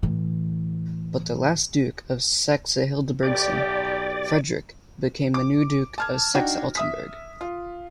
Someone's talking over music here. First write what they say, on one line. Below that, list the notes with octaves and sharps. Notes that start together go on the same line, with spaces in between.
But the last Duke of Saxe-Hildburghausen, Frederick, became the new Duke of Saxe-Altenburg.
A2 E3
B1 G4 D5
D6
A5 F6 G#6
D4 D#4 F#4 G5
E5 D#6 B6
F4